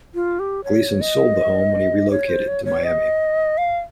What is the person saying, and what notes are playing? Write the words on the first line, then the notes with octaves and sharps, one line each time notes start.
Gleason sold the home when he relocated to Miami.
F4
G4
C#5
D#5
C#5
C5
C#5
C#5
D#5
F5